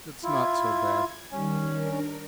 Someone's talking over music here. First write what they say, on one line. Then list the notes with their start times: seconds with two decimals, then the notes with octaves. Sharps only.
It's not so bad.
0.24 E4 F4 G#6
1.31 D#3 G3 C#4
1.73 D4 A#4